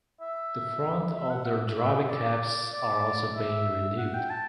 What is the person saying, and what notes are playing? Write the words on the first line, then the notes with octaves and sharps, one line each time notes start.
The front of the driving cabs are also being renewed.
E5
E5
F#5
E5
E5
E5
D5
D5
E5
F#5
G5
A5